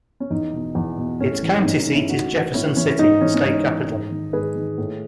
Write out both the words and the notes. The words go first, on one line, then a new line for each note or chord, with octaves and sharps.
Its county seat is Jefferson City, the state capital.
C#4
E2 D#4
B2
E2
B2
A2 C#4
E3
D#4
A2 C#4
D#4
E3
C#4 E4
A2 D#4 F#4
E3
A2 C#4 E4
E3 C#4
G#2 D#4
E3 C#4
C#4
G#2 D#4
E3
G#2
D#3
G#2 G#4 B4
D#3
A2